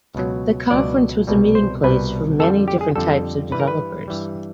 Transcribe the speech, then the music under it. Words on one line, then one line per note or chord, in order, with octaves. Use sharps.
The conference was a meeting place for many different types of developers.
C#2 B2 F#3
C#2 B2 F#3 D5
C2 B2 G3
C5
C2 B2 G3 B4
F2 D3 G3 A4
G4
G#4
F2 D3 G3 A4
G2 E3 G3 B4
A#4
B4
G2 E3 G3